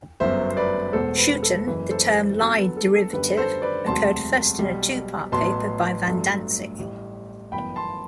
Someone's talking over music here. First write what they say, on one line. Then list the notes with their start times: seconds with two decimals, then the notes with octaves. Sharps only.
Schouten, the term "Lie derivative" occurred first in a two-part paper by van Dantzig.
0.20 G1 F#2 F#3 B3 C5 E5
0.50 C5
0.57 B4 D5
0.93 E1 E2 B2 A4 C5
1.18 B4
1.43 A4
1.66 F#1 F#2 E3 B4
1.91 A4 C5
2.40 E2 D3 F#3 A4
2.58 B4
2.77 A4
2.94 A4
3.13 F#2 D3 G3 B3 B4
3.37 A4 C5
3.62 B4 D5
3.86 E1 D2 C3 F#3 A5 C6
4.59 B1 B2 G3
5.32 A1 A2 F#3 B3 A5 C6
6.06 G1 G2 F#3 A3
6.79 A1 A2 G3
7.52 G1 F#2 E3 B3 G5 B5
7.76 A5 C6